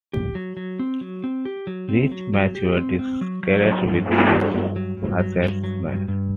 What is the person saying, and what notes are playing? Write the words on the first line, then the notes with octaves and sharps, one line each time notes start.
Ruiz Mateos disagreed with this assessment.
G4
F#3
F#3
C4
F#3
C4
G4
F#3
C4
F#3
F#3
G4
C4
C4
F#3
F#3
F#3
G2
G2
F#3
G2
F#3
G2
F#3
G2
F#3
G2
G2